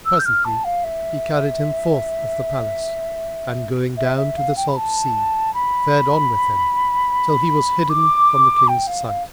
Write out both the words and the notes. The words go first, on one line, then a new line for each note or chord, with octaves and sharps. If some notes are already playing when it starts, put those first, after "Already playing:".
Presently he carried him forth of the palace and going down to the salt sea, fared on with him, till he was hidden from the King's sight.
E6
G6
F6
A5
F5
E5
E5
E5
F5
G5
B5
A5
B5
D6
G5
F5
F5